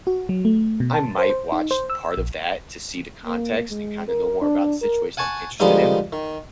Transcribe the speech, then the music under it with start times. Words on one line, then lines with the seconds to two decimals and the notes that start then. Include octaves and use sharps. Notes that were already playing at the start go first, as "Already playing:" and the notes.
I might watch part of that to see the context and kinda know more about the situation I'm interested in.
0.07 F#4
0.29 F#3
0.45 A3
0.80 B2
0.94 A5
1.18 C5
1.30 C5
1.52 D#4
1.71 C5
1.90 E6
2.17 A#1
3.26 A#3
3.70 G#3
4.08 A#4
4.41 D4
4.82 A#4
5.17 F#5 G#5 A5 C#6
5.60 D3 F3 G3 G#3 B3 D#4
6.13 D#3